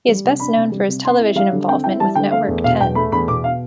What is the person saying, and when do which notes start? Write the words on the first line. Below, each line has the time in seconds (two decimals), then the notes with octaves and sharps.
He is best known for his television involvement with Network Ten.
0.08 G3
0.24 C3
0.40 D4 B5
0.57 C3
0.72 G3
0.88 C3
1.04 C4 C6
1.20 E4
1.36 G3 F5
1.52 D3
1.68 C4 G5
1.84 E4 G5
2.00 G3 A5
2.15 D3 G5
2.31 A3 F5
2.48 E2
2.64 B2 F5
2.80 E2 G5
2.95 A3 B5
3.12 E2 B5
3.28 B2 D6
3.44 F5